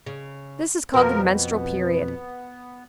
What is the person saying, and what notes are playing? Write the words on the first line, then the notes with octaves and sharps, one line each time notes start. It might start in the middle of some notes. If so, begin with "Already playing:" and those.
This is called the menstrual period.
C#3
F2 B2 F3 A#4 B4
B3